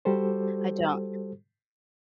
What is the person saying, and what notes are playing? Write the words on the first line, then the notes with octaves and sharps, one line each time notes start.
I don't.
G3 F#4 G4 A4 C5